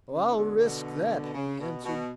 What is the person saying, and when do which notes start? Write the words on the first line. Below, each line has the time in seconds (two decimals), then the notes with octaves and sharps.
"I'll risk that," he answered.
0.10 C#3
0.30 E3
0.35 B2 D3
0.60 B2 D3
1.23 B2
1.35 C#3
1.59 B2
1.84 B2